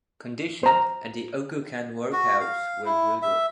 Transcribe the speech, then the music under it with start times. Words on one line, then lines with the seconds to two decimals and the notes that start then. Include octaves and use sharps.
Conditions at the Occoquan workhouse were brutal.
0.63 C5 A#5
2.12 F#4
2.41 F5
2.85 E4
3.22 E5